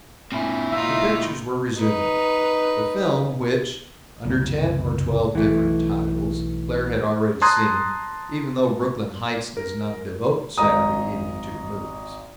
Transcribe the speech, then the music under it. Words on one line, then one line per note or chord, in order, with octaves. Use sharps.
The pictures were resumed; the film which, under ten or twelve different titles, Claire had already seen, even though Brooklyn Heights does not devote Saturday evening to the movies.
A#2 C4 D4 E4 G#5
A#3 D#4 F4 E5
D#4 B4
F#1 C2 F2
B1 E3 A3
A5 A#5 C6 D#6 F#6 G#6
A#4
G#1 D#5 A#5 D#6